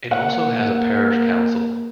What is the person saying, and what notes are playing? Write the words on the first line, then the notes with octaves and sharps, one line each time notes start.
It also has a Parish Council.
A#3 F#5